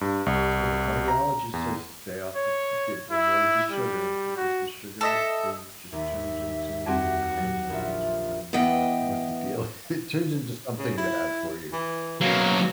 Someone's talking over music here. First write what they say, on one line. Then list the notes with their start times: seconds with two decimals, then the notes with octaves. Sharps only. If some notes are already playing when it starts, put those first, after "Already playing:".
Yeah, the cardiologist says stay off the to get avoid the sugar because the sugar is just turns into carbs, I guess? Or, I don't know what what the deal it turns into something bad for you.
0.01 G2
0.26 C2
1.08 A#5
1.53 E2
2.35 C#5
3.11 E4
3.71 G3
4.36 F#4
5.01 A4 D#5 E5
5.92 D#2 E5
6.86 F2 G3 C4 F#4 G4
7.38 F#3
7.70 A#1 F3 F4 E5
8.53 E3 B3 D#5 G5
10.79 C#3
10.98 E4
11.73 E3
12.21 B2 F#3 A#3